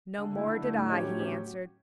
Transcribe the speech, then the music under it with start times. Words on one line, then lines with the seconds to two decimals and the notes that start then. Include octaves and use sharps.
"No more did I," he answered.
0.17 D3
0.32 A3 E4
0.47 D3
0.61 A3 E4
0.75 A2
0.89 F#3 C#4 G4 C#5
1.04 A2
1.19 F#3 C#4 G4